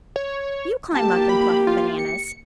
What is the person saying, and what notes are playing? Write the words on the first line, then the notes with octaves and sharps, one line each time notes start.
You climb up and pluck the bananas.
C#5
A#3 G4 A5
B5
F4
C#7